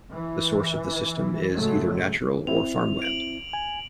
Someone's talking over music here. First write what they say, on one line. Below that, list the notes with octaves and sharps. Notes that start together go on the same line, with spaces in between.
The source of the system is either natural or farmland.
E3
A2 C#3 F#3 G#3 A3
C4 E4 F7
D7 F#7
G#5